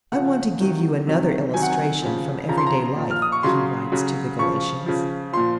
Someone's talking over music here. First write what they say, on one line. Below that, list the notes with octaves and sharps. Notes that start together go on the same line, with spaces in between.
"I want to give you another illustration from everyday life," he writes to the Galatians.
C#3 F3 F#5
C3 D#3 F#3
C3 D#3 F#3
C3 D#3 F#3 G#5
F#5
G#5
C#3 F3
C#3 F3 A#5
C6
A#5
A#2 F3
F6
D#6
C#6
C#3 F#3 C6
C#3 F#3
C#3 F3 C#6
C#3 F3
A#2 F3 C6